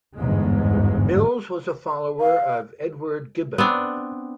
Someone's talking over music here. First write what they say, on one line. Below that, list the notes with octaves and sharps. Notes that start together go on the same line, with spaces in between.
Mills was a follower of Edward Gibbon.
G1 E2 G#2 G#3
F5
B3 C4 D4